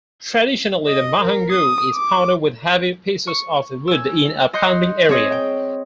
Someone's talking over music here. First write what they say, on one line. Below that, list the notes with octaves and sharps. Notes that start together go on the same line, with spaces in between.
Traditionally the mahangu is pounded with heavy pieces of wood in a 'pounding area'.
D#5
A#4
D#6
D6
C#6
G#5 E6
D#5 C6 F#6 G6 C7 C#7
C4 G#4 C#5 D#5
G5